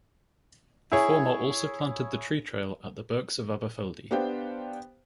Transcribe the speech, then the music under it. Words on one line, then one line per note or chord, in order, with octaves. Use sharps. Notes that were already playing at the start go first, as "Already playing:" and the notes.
The former also planted the tree trail at the Birks of Aberfeldy.
E4 G#4 C#5
B3 D4 G4 C5 F5 G5